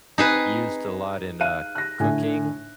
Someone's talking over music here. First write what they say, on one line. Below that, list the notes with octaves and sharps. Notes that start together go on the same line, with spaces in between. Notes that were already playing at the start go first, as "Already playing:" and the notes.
used a lot in, uh, cooking,
C4 D#4 G#4 B4 E7
F5 F#6 D#7
F#6 A#6
A2 D3 G#5